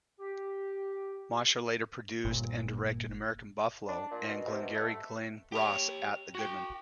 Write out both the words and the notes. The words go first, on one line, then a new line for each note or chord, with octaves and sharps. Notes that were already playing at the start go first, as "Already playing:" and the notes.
Mosher later produced and directed "American Buffalo" and "Glengarry Glen Ross" at the Goodman.
G4
G1 A#2
D4
A#2
B2
C3
B2
A3
G4 C#5
F#4 G5